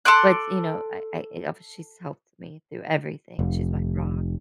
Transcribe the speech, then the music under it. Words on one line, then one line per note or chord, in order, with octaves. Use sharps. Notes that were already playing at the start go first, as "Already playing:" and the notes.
but, you know, I I eh, obvious she's helped me through everything, she's my rock,
A4 C6 D6 F#6
F1